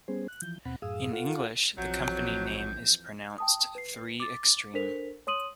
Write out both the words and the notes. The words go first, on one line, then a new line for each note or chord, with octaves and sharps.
In English the company name is pronounced "Three-Extreme".
G3 B3 C#4 G#4 C5
F#6
E3 F3 G6
D#2 B2 C4 F#5 B5
F#2 A2 G#4 F5 D#6 E6
F4 A4 F5 F#5
A#1 F2 E3 F#3 G6
G5 A5 D#6
B4 C7
D6 A6
D4 A4 A#4 C5 B6 F7
C#5 C6 D#6 D#7 F#7